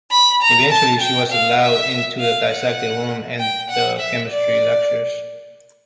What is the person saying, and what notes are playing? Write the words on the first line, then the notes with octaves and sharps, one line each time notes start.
Eventually she was allowed into the dissecting room and the chemistry lectures.
B5
A#5
A5
G5
F5
E5
F5
F#5
G5
F#5
E5
D5